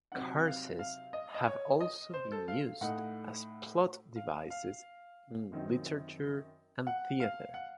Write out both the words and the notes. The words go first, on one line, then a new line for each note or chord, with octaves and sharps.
Curses have also been used as plot devices in literature and theater.
C3 F#3 C4 D#4 F#5
F5
F5
D#5
D#5
C#5
D#5
C5
A4
F5
A2 A3 D#4 F#5
F5
F5
F#2 D#3 F#3 C4 D#4
F#5
F5
F#5